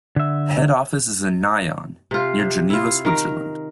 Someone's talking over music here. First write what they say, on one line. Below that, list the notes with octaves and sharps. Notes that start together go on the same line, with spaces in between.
The head office is in Nyon, near Geneva, Switzerland.
D3 E5
C3 F4
C3
E4 F4
D#3 A#4